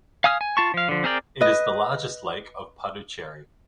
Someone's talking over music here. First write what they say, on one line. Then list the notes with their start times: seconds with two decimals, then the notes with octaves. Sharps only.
It is the largest lake of Puducherry.
0.24 F5 G#5 D#6 F6
0.41 G#5
0.57 F4 A5 C#6
0.74 F3 F5
0.89 D3 F3
1.04 C4 G#4 A#4 D5 G5
1.41 B4 D#5